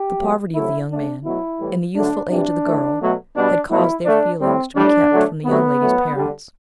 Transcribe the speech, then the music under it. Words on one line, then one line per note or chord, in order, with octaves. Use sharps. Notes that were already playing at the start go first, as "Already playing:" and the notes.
The poverty of the young man, and the youthful age of the girl, had caused their feelings to be kept from the young lady's parents.
Already playing: G4
B2 F#3 A3
C3 F#3 A3 E4
D3 A3 D4
B2 F#3 A3 E4
A2 E3 G3
D3 F#3 A3 D4
C3 E3 G3 D4
A2 E3 A3
B2 F#3 A3
B2 G3 D4
B2 F#3 A3 E4
D3 A3 D4
A2 G3 C4
A2 G3 D4
D3 F#3 A3
C3 F#3 A3 B3
A2 F#3 A3
D3 G3